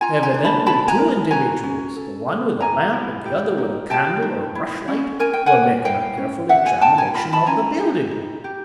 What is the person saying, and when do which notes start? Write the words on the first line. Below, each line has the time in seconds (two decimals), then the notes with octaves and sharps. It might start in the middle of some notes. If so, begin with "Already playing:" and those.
Evidently two individuals, the one with a lamp and the other with a candle or rushlight, were making a careful examination of the building.
0.01 F4 G#5 A#5
0.23 G#5 A#5
0.34 D4
0.45 A5 B5
0.66 E4 A5 B5
0.88 G#5 A#5
0.99 A#4
1.31 F#4 G#5 A#5
1.63 C#4
1.96 A4
2.28 A4
2.60 G4 G#5 A#5
2.93 E4
3.26 G4
3.58 D#4
3.90 G4 G5 A5
4.22 D#4
4.55 E4
4.88 C#4
5.19 A#4 G#5
5.33 G5
5.46 F#5 G#5
5.52 A#4
5.84 E4 F5 G5
6.17 C#4
6.49 G4 E5 F#5
6.66 F#5 G#5
6.81 D#4 G5 A5
6.98 G#5 A#5
7.14 F4 B5
7.33 A5 B5
7.46 C#4 G#5 A#5
7.79 G4
8.11 D#4
8.44 G4